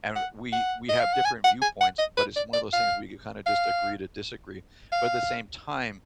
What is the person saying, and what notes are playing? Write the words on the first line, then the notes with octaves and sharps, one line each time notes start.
and we we have different viewpoints, but it's one of those things we kinda just agree to disagree, but at the same time,
F#5
F#5
D#5
F5
F#5
G#5
F#5
G#5
F#5
D#5
B4
D5
D5
F5
F5
F5